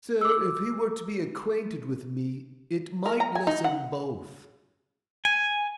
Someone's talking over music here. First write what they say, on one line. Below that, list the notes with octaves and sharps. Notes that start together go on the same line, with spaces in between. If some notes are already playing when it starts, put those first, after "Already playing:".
'Sir, if he were to be acquainted with me, it might lessen both.'
D6 E6
A#4
A#5
G#5
D#4
F#5
G#5